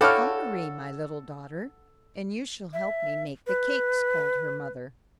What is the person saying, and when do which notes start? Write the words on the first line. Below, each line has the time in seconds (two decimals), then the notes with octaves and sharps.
"COME, Mari, my little daughter, and you shall help me make the cakes," called her mother.
0.01 D4 E4 F#4 A4 C#5 F5 G5 F6
2.73 E5
3.47 B4